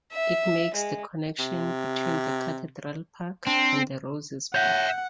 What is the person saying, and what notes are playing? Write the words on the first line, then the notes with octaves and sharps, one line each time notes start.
It makes the connection between the Cathedral Park and the Roses Park.
E5
G#3
C3
C4 D4
C#5 E5 F#5 G6